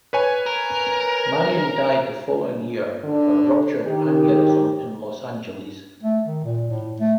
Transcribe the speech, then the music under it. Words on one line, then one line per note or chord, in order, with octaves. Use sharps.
Marion died the following year of a ruptured aneurysm in Los Angeles.
B4 C#5 G#5
A#4
D3 D4
D#3 G4
A3
D#3
A#2
A2
A3